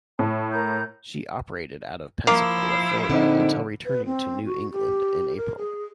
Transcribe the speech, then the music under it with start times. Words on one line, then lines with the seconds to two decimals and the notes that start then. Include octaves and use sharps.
She operated out of Pensacola, Florida, until returning to New England in April.
0.19 A2 A5
0.53 A#4 A#5 G6
2.27 F3 A#3 E4
3.10 A#2 D3 C4 D#4
3.86 B4
4.05 C4
4.45 F#4
4.72 G4
5.37 A#4
5.58 G#4